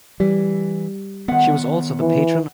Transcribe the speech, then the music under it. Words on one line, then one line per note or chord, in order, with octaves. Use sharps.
She was also the patron of the Women's Institute of Negeri Sembilan.
E3 G3
D#3 B3 F#5
E3